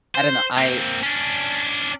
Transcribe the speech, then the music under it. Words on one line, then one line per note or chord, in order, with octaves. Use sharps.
I don't know, I
C5
A#3 C4
C#4 D4